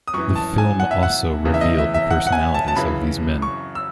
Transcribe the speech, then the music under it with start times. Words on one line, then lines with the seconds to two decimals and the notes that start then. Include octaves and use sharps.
The film also revealed the personalities of these men.
0.08 D#6
0.14 F#2 E3 C#6
0.35 A5
0.58 G#5
0.80 F#5
0.91 E5
1.03 F#5
1.45 E2 C#3 E3
1.54 E5
1.61 D#5
1.78 E5
1.94 E5
2.11 F#5
2.27 F#5
2.32 G#5
2.54 A5
2.68 A5
2.76 F#2 C#3 E3 B5
3.42 C#6
3.75 E6